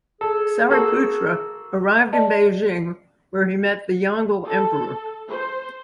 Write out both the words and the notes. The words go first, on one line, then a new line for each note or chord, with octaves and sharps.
Sariputra arrived in Beijing where he met the Yongle Emperor.
G#4 A4
A#3 F#4 A4
D5 D#5 A5
A4
C5